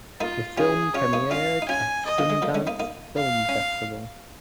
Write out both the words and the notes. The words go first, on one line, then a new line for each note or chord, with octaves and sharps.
The film premiered at Sundance Film Festival.
A#3 D#4 F4
C#4 F4 G#4
C#4 F4 C#5
A#3 D#4
C#4 F4 F5
D#4
C#4 F4 G#5
D#5
F3 A#3
G#3
F3 A#3
G#3 C#4
A#3 D#4
A#3 D#4
F5
C#4